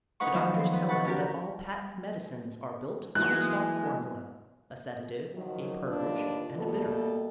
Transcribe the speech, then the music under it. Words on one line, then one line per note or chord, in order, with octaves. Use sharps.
The doctors tell us that all patent medicines are built on a stock formula--a sedative, a purge, and a bitter.
C#4 D#4 B4 F#5 C#6
D#3 F3 F#3 B3
C6
B3 B4
F#5 A5 B5 C#6 F#6
C#4 F#4 G4 A#4
E3 F#3 G#3 A#3 D#4 F#6
D#3 F3 F#3
D#2 A2 D4 F4 B4
B2 G3 A3 A#3 A4